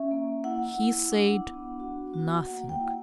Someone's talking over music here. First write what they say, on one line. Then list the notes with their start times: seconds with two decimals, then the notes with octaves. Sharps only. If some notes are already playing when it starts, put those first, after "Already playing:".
He said nothing.
Already playing: C#4 E5
0.11 A#3
0.44 E4 F#5
0.78 E4
1.12 D4
1.46 B3
1.80 F#4
2.14 F#4
2.47 A#3 F#5
2.69 G5
2.80 E4